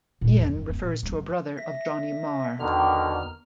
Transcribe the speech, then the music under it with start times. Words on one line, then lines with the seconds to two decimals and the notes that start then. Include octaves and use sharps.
"Ian" refers to a brother of Johnny Marr.
0.21 A#2
0.36 E2
0.56 F#2
0.69 B3
0.81 A#2
1.03 F#1
1.58 E5 A#6
2.60 E2 B2 D3 D#3 A#5 F6